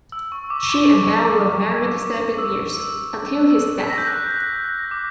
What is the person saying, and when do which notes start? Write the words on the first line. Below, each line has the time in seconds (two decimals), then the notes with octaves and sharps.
She and Bell were married seven years, until his death.
0.12 E6
0.32 C#6
0.50 D6
0.69 C#6
1.43 D6
1.63 D6
2.38 E6
3.51 E6
3.80 B6
3.90 A#6
3.98 G6
4.07 F#6
4.27 G6
4.64 A#6
4.91 D6